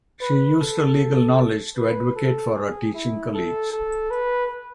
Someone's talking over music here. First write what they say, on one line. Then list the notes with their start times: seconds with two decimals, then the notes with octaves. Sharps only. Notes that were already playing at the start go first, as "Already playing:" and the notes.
She used her legal knowledge to advocate for her teaching colleagues.
0.21 B4
0.60 A4
1.77 B4
2.16 A4
2.55 G#4
2.94 E4
3.34 A4
3.72 A4
4.10 B4